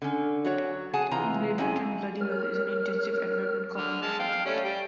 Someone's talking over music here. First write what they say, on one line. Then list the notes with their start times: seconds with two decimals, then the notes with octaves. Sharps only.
In Great Britain, "bloody well" is an intensive adverb in common usage.
0.02 D3 C#4
0.45 F#3 F#4 C#5
0.93 G#4 F#5 G#5 A5
1.11 C3 E3 F4 A#5
1.58 F2 C#4 E4 F#4 G#5
2.20 A#4 C#5 F6
3.77 D3 F6
4.02 G#3 A5 F6
4.19 F5 G5
4.46 G3 A3 C#4
4.64 G3 G5